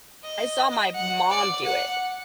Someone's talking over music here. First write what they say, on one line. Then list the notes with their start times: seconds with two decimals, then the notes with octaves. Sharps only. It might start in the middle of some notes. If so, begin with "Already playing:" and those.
I saw my mom do it.
0.24 D#5
0.95 F#5
1.30 D5
1.64 F#5